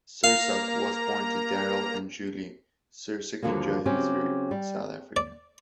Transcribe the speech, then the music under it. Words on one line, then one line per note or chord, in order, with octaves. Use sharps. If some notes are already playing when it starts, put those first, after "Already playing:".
Sursok was born to Daryl and Julie Sursok in Johannesburg, South Africa.
A#3 F5 A#5
D#2 D3 F3 F#3 A#3
C#3 F#3 C4 C#4 G4
G3
D5